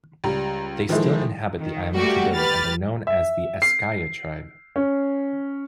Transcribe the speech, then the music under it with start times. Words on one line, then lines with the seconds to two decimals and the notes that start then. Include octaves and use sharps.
They still inhabit the island today and are known as the Eskaya tribe.
0.24 C#2 G3 A#5
0.89 D#3 F3 G#3 E4 A4
1.63 D#3
1.96 G3 A3 A#3 F#4 G4
2.34 G4 B4 B5 F6 A6
3.07 E5
3.62 C7
4.76 C#4